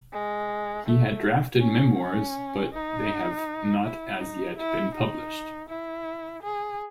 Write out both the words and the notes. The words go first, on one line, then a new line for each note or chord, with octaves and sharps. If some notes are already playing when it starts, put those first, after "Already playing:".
He had drafted memoirs, but they have not as yet been published.
G#3
A3
C#4
C#4
D#4
E4
D#4
E4
D#4
E4
G#4